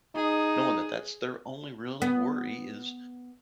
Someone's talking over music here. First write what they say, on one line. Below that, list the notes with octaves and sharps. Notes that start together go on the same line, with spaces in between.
knowing that that's their only really worry is
D#4 G#4
B3